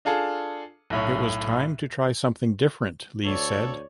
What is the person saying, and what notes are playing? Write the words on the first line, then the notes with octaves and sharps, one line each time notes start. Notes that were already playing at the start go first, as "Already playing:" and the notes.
It was "time to try something different," Lee said.
D4 F4 G#4 A4
B1 A2 C#5
D2 A4 C#5 D5